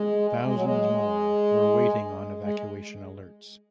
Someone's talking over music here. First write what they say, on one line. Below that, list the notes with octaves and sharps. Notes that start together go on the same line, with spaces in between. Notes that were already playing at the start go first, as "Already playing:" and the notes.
Thousands more were waiting on evacuation alerts.
Already playing: G#3
G#3
F#3
G#3
G#3